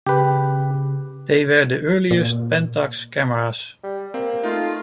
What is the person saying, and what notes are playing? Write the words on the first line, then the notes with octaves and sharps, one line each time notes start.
They were the earliest Pentax cameras.
C#3 G4 B4
A#2
G3
A#3 C4
A3 D#4 F4